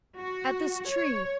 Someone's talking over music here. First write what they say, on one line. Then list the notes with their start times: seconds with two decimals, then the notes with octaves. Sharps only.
'At this tree.
0.19 F#4
0.90 C#5